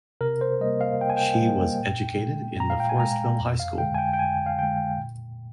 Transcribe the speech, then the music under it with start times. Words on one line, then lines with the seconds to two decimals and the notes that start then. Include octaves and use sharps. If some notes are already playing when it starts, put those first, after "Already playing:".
She was educated in the Forestville High School.
0.21 C3 A#4
0.41 C5
0.60 G3 A#3 D#5
0.81 F5
1.01 C3 G5
1.10 G#5
1.17 G5
1.41 G3 A#3
1.80 A#2
2.19 G#3
2.60 A#2 A#5
2.70 F5
2.80 G5
2.89 G#5
2.99 G#3 A#5
3.39 F2
3.60 F5
3.78 D3 G#3 G5
3.94 G#5
3.98 G5
4.13 G5
4.19 F2 G#5
4.46 F5
4.59 D3 G#3 G5
4.98 A#2